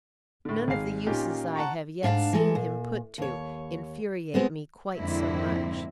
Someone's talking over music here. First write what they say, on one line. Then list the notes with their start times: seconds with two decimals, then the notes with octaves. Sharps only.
None of the uses I have yet seen him put to infuriate me quite so much.
0.45 A2 D3
0.68 G#1 G#3 F5 C7
1.07 A#2 C#4 D#4 F4 G4
1.56 F#5 A5 A#5 C#6
2.03 G#2 D4 F5 A5
2.33 E3 G#3 A4
2.55 A#2
3.18 D#2 C#5
4.34 G#3 B3 C4
4.97 F2 G#2 D3 A#3 C4 E4